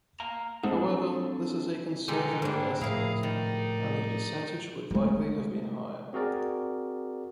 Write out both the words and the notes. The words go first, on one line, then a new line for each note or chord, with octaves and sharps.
However, this is a conservative estimate and the percentage would likely have been higher.
F5 A#5
G#2 C4 D4 A4
B2 D3 G#3 D#4 G4 A4
G#2 G3 A#3 D4
A2 C#3 F3 E4 G#4 A#4 F5 A#5
D#3 D#4 D5
G#3 A3
C4 F#4 G#4 A#4 D5